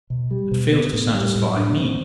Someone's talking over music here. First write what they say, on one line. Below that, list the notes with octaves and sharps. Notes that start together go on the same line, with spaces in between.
It fails to satisfy Me.
B2
G3
B2
B3
A2
G3
A2
D4
C4